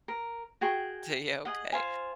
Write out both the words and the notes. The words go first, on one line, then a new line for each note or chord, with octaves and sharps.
Tuh yeah, okay.
A#4
F#4 G#4 G5 C#6
G#4 D#5 F#5
F4 C5 F5 G#5